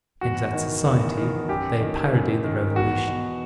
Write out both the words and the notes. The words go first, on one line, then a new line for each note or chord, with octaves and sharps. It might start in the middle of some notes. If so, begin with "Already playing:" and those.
In that society, they parodied the Revolution.
E2 F#4
D#3
E2
D#3
F#2 G4
D#3
F#2
D#3
E2 F#4
B2